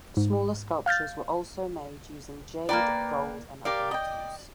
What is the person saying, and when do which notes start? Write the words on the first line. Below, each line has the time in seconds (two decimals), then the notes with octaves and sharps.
Smaller sculptures were also made using jade, gold and other metals.
0.17 G#2
0.86 F5 F6 G6 A6
2.69 A#3 B4 D5 G5 A#5
3.65 G4 A#4 D5 F5
3.91 D#5 G5